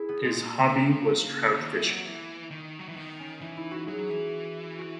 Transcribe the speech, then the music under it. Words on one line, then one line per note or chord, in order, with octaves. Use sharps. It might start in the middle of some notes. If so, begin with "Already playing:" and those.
His hobby was trout fishing.
Already playing: E4 G#4
B3
A#2 G#3
C#3 A#3
A#3
C#3
D#3 B3
E3
F#3
E3
D#3
F#3
E3
D#3 B3
C#4
E3 D#4
E4
F#4
F#3 G#4
E3
F#4